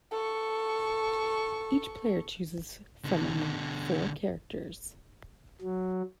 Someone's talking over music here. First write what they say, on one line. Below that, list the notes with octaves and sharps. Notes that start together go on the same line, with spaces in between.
Each player chooses from among four characters.
A4 C#6
B2 D3
F#3